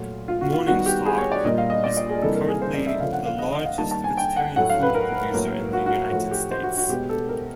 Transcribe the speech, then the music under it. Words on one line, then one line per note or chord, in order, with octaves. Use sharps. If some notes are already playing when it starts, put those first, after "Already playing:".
Morningstar is currently the largest vegetarian food producer in the United States.
Already playing: A#2 F#3 A3 F4
F4
F#4
F4
D#3 G3 B3 F#4
G4
G#4
C#5
D5
A#2 G3 A#3 D#5
F5
D#5
D5
D5
G#4
C3 E3 G3 A#3 A4
A#4
G#4
C5
D5
E5
C#3 F3 A3 F5
F#5
F5
D#5
D#5
F5
D#3 G3 A#3 A5
A5
G#5
G5
F#5
A2 F#3 A3 F#5
F5
B4
A#4
A2 F#3 A#3
F#4
F#4
A2 F3 A3 F#4
G4
C5
F#4
F#4
B2 G#3 B3 G4
A4
A#4